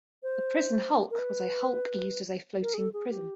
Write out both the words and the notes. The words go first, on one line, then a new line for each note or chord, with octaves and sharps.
A prison hulk was a hulk used as a floating prison.
C5
A#4
B4
A#4
G#4
A4
G#4
G4